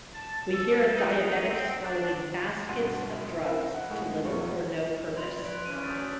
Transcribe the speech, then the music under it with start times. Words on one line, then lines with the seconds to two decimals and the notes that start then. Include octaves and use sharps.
We hear of diabetics swallowing baskets of drugs to little or no purpose.
0.15 A5
0.54 A4
0.94 D#4
1.48 C4
1.82 D4
2.38 A6
2.69 G2 B2 F#5 C6 D#7
3.44 E4 A#4 C5 E5 F5
3.74 F#5
3.90 A2 G#3 A3 F#5
4.25 B1 F2 F4 C#6
5.16 F3 B4 D5 C6 G#6 F7 F#7
5.45 F#6 B6 D7
5.65 G2 E3 C#4 D#7
5.84 F#3 A3 D#6 G6 A6